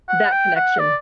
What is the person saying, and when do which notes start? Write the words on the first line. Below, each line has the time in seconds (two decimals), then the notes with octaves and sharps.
that connection,
0.08 F#5
0.32 G5
0.56 F#5
0.79 D5